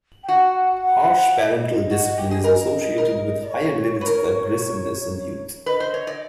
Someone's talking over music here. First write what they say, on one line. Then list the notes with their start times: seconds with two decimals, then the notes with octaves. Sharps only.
Harsh parental discipline is associated with higher levels of aggressiveness in youth.
0.23 G5
0.29 F#4 F#5
0.82 F#5
1.37 E5
1.45 D#5
1.53 D5
1.61 D#5
1.91 F#4
2.04 F#4
2.18 G4
2.31 G#4
2.44 A#4 D#5
2.98 A#4
3.43 D5
3.51 C#5
4.01 B4
4.06 A#4
5.66 B4 D#5
5.80 C5
5.94 C#5
6.07 D5